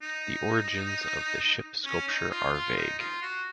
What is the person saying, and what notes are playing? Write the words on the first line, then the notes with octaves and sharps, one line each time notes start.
The origins of the ship sculpture are vague.
D#4
C#4
D#4
F4
F4
D#4
F4
F#4